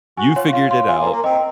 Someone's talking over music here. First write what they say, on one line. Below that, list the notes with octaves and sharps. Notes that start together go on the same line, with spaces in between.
you figured it out,
F#4 G#5
F4 C#5
F4 F5
C6
F4 G#5
A#3
A#4
A#3
C4 D#5